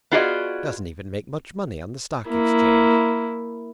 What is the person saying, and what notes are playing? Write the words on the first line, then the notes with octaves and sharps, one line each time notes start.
He doesn't even make much money on the Stock Exchange.
B3 F4 F#4 G#4 D5 D#5
A#3 E4